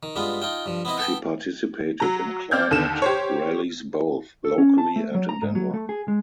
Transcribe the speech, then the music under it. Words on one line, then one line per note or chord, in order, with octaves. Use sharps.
She participated in climate rallies both locally and in Denver.
D#3
G2 G#3 B3 F4
D#4 F4 G5
G2 F3
B3 C4 E4 D#5
B3 A4 G5
F#3 A#5
C4 D5 F6 G6 G#6
D#2 D3 E7
G4 C5 C#5
A4
C#4
A5
A3
F#3
A#5
G#2
F#3
A3
G#4
G#3